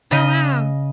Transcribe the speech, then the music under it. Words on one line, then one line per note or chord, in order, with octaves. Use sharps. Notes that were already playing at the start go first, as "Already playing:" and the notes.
Oh, wow.
C#3 D#5 B6 D#7